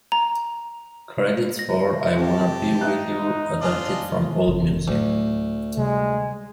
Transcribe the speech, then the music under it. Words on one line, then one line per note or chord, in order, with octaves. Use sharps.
Credits for "I Wanna Be with You" adapted from AllMusic.
A#5
A#6
C4 G4 F5 A5
D#4 E5 F5 F#6
D4 F4 D#5 G#5 A5
F#1 C#2 C#3
D2 A2 F#3
C3 G3 G#3